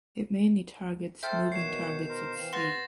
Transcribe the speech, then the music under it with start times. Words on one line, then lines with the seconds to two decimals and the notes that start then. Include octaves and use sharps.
It mainly targets moving targets at sea.
1.23 A4 C5 E5 G5 F6 G6
1.52 B2 D#3 C#5 F#5 C7 E7
2.09 A#4 C5
2.35 E3 C4 F5
2.53 C3 B4 F#5 C6 A6 A#6